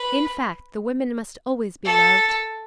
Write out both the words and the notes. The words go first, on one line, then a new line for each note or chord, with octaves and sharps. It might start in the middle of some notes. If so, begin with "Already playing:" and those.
In fact, the women must always be loved.
Already playing: B4
A4